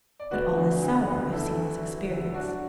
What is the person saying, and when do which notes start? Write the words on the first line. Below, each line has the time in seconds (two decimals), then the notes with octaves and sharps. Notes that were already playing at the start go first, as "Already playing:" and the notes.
But all is sour, if seen as experience.
0.20 D5
0.31 D2 F#4 B4
0.57 D2
0.82 D2
1.08 D3
1.32 D2 E4 A4
1.58 D2
1.84 F#3
2.09 D2
2.34 D4 F#4